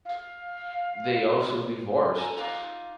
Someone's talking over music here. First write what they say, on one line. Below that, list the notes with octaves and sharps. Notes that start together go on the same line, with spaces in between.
They also divorced.
F5
A4 G#5 A#5
D#4 F4 F#5 D6